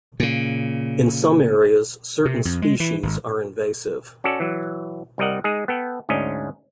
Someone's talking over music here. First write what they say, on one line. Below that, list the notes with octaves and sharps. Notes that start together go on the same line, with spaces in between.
In some areas, certain species are invasive.
A#2 C#3
C3
F2
G#3
E3
G#1
C#4 F#4 A4 D5
E3 F#3
C2 G3 A#4 D#5 F#5
G#3 D#4 G#4
B3 A4 G5
D2 G#2 C#4 D4 D#5